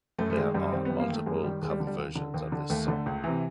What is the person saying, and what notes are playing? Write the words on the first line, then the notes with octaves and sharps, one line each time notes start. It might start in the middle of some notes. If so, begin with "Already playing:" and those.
There are multiple cover versions of this song.
F#2 A3
A3
D#3 G#3
F#2 G3
D#3 C4
F#2 B3
A#3
D#3 A3
F#2 G#3
D#3 G3
D#2 G#3
G3
D3
G3
D#2
D3
D#2
D3
D#2 A3
D3
C#2
C3 E3